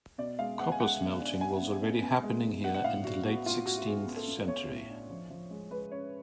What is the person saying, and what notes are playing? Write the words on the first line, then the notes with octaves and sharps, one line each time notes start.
Copper smelting was already happening here in the late sixteenth century.
B2 D5
G#3 F5
G#3 F#5
G#5
G#3 F#5
B2
D4
D4 G#5
B3
B2
B3
G#3
B2
D4 F#5
F#5
A2 F5
D4 F#4
B3 F#4
A2 F4
A2 F#4
F#4
A2 G#4
B3
A4
B3
B3 C#5
A2
D4
F3
F3
G#3
G#3 B4
C#4 C#5